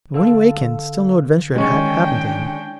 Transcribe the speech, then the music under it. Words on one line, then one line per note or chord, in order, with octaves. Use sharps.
But when he awakened still no adventure had happened to him.
D3 A4 F5 E6
D#3 G#3 C#4 D4 G5